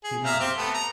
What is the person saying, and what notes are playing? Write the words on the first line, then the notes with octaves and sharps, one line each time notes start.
He knocked.
G#4
E5 F5 A#5
C4 G4
A3 B3 A4
A#5